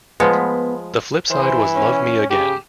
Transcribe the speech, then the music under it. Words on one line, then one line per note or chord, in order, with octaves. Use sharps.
The flip side was "Love Me Again".
F3 G#3 B3
E3 C5
C#4
C#3 G4